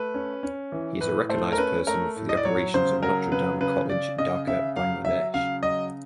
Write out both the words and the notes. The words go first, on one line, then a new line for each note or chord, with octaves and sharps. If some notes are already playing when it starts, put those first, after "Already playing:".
He is a recognized person for the operations of Notre Dame College, Dhaka, Bangladesh.
Already playing: A3 B4
C#4
C#4
E3
A2 B4
A3 C5
A#4
C#4 B4
A3 A#4
A2
D#5
D5
F#3 C#5
C#3 C5
F#3 A#4
C#3 B4
C#3 B4
C#3 D5
C#3 D#5
C#3 E5
F#3 F5
F#3 E5
C#3 F5
F#3 D#5